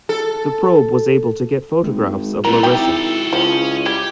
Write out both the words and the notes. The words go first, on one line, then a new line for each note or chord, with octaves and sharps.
The probe was able to get photographs of Larissa.
A4
G#1 G#3
C2 F#3 A3 E4 A#4
G#1 F#3 E4 G4 A4
C#2 F3 C#4
G3 G4 G#6